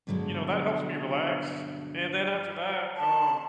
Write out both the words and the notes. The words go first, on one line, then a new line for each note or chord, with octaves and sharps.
you know, that helps me relax, and then after that, um,
G2 B2 D3 F#3 G#3
A5